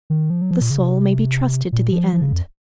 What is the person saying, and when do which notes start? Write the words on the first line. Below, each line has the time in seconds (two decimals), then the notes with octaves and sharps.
The soul may be trusted to the end.
0.10 D#3
0.30 F3
0.42 F#3
0.51 F3
0.61 A#2
0.70 C#3
0.81 C3
1.72 A#2
1.92 F3
2.13 F3
2.22 C#3
2.33 F2